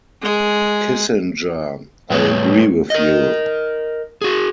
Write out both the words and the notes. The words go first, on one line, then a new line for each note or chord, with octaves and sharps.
Kissinger: I agree with you.
G#3 G#4
A2 G3 B4 C#5
A#4 D#5
F#4 G#4